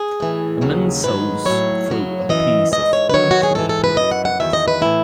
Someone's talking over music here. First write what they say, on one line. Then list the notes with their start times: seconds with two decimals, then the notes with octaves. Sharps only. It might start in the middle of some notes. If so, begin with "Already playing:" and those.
A man saws through a piece of wood to repair a fence.
Already playing: G#4
0.20 A2 E3
0.61 D#2 C#3 F#3
1.03 G#2 D#3 F#3 B4
1.45 A2 F#3 C#5
1.88 F#2 C#3 F#3
2.29 F#2 C#3 E3 D#5
2.72 G#2 E3 D#5
2.93 C#5
3.10 B4
3.13 F#2 D#3 F#3 C#5
3.31 F#4
3.43 G#4
3.55 G#2 E3 A4
3.69 A4
3.84 B4
3.97 F#2 E3 D#5
4.11 F#5
4.25 F#5
4.40 E2 D#3 F#3 E5
4.53 D#5
4.68 B4
4.81 A2 E3 E4